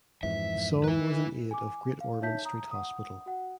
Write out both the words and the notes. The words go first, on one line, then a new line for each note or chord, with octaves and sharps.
The song was in aid of Great Ormond Street Hospital.
F2 G#2 E3 E5
E4 B4
G#5 D6
F5
D#4 C#5 E5 A5 G6 B6
A#5 D#6
F#5 D#6
F#4 F#5